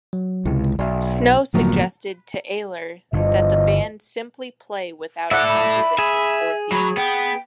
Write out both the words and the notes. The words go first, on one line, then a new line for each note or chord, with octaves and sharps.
Snow suggested to Ayler that the band simply play without a composition or themes.
F#3
C#2 C3 G#3 E4
B1 D5 E5
F#1 A2 D3 F3 F#3 A#3 B3
G1 E2 G2 D3 F3 D#5
E4 A4 D5 E5 F#5
B5
G#4 E5
F#3 C#5 B5
B3 G5